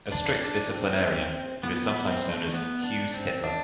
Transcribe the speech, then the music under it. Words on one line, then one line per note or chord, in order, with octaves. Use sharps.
A strict disciplinarian, he was sometimes known as 'Hughes-Hitler'.
D4
D4
C4
B3
B3
C4
A3
B3
D4
C4
D4